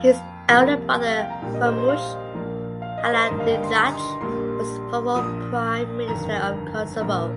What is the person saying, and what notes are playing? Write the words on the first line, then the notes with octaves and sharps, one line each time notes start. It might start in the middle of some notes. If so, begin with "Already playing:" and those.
His elder brother Ramush Haradinaj was former Prime Minister of Kosovo.
Already playing: F2 F3 A#3 F5
C2 C3 F3 A#3
G5
F5
G5
A#5
A#1 A#2 G3 A#3 G5
D#5
C5
C5
F5
A#1 A#2 F3 A#3
F5
D#5
C5
G1 G2 D#3 A#3 D#5
F5
G5
C6
A#5
C6
A#1 A#2 G3 A#3 C6
A#1 A#2 F3 D#6
G1 F2 D#3 A#5
A#1 A#2 F3 A#3 A#5